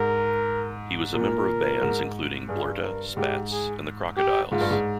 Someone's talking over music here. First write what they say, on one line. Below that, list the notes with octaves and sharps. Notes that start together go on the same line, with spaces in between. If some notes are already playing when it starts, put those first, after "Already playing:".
He was a member of bands including Blerta, Spats and The Crocodiles.
Already playing: G#2 A#4
A#2 A#4
G#2
G2 G#4
A#4
G#2 G4
G#4
G4
G#2 F4
G2
G#2